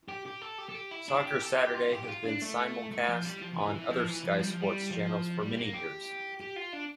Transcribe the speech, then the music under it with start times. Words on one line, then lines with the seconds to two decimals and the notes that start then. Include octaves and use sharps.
Soccer Saturday has been simulcast on other Sky Sports channels for many years.
0.09 G4
0.25 G4
0.41 A4
0.58 G4
0.69 A4
0.75 G4
0.91 E4
1.08 D4
1.25 G4
1.42 A4
1.58 G4
1.74 F4
1.92 G4
2.03 G4
2.08 F4
2.25 D4
2.42 A3
2.92 A3
3.08 F3
3.25 G3
3.41 F3
3.53 F3
3.57 E3
3.75 E3
3.91 F3
4.08 E3
4.24 F3
4.41 G3
4.50 F3
4.61 G3
4.91 F3
5.40 G3
5.57 A#3
5.73 G4
6.40 G4
6.56 F4
6.73 D4